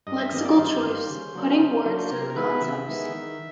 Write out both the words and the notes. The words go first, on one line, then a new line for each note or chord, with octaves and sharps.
Lexical choice: Putting words to the concepts.
G2 D#5
E5
D#3 G3 A#3 D#5
D5
G2 C5
D#3 G3 A#3
C#3
F#3 A#3 D4
C#3
F#3 A#3 D4
C3 A#4
A#4
D#3 G#3 B3 E4 B4
C3 E5
D#3 G#3 B3 E4
D#3